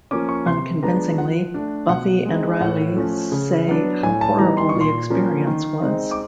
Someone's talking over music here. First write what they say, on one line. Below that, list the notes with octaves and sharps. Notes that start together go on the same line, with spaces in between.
Unconvincingly, Buffy and Riley say how horrible the experience was.
F3 A#3 C#4 D6
C#6
C3 C6
F3 G#3 B3 D4 A#5
F3 F#5
A3 D4
B2 F#5
G#3 C4 D#4
A2 F#5
F3 A3 C#4
C#3
F#3 B3 D4
A2 G#5
A5
E3 G3 B3 D#4 A#5
C6
C#6
A#2
C6
F3 A#3 C#4
D#3
G#3 C4 D#4
D6